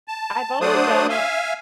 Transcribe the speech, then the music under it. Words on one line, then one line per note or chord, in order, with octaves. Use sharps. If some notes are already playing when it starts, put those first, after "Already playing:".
I've only done it
A5
F#3 A3 D4 C5 D5 D#6
E5 F5 G#5